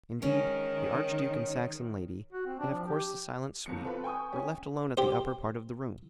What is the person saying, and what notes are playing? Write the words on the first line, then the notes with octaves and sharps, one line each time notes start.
Indeed, the archduke and Saxon lady, and of course the silent suite, were left alone at the upper part of the room.
D#3 G#3 C#4
F#4
C4
D4
F3
G4
G1 F2 C#7
C4 F4 A4 B4
G5 G#5 C#6 D#6
C#4 G#5
G4 C5